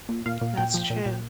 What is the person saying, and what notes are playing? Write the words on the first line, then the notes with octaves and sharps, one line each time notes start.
That's true.
A#2
A#2 F5
A#2
A#2 G5
F3
A#2
A#2